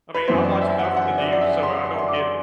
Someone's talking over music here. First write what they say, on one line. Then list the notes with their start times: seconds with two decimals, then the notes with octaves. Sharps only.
I mean, I watch enough of the news so I don't get
0.14 B4
0.28 F#2 E3 B3 C5
0.45 D5
0.61 E5
0.79 F#5
0.96 F#5
1.18 D5
1.32 D5
1.41 E5
1.63 C6
1.85 C6
1.98 C6
2.08 D6